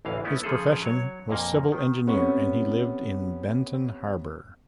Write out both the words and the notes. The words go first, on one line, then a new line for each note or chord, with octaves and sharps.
His profession was civil engineer and he lived in Benton Harbor.
A1 D2 E3 F5
A3 B3 C#4 E4
C#3 F3 F4 G#4 A4
F#3 C#5
F2 A#2 A#3
D#3
C3 B3 C#4 C#6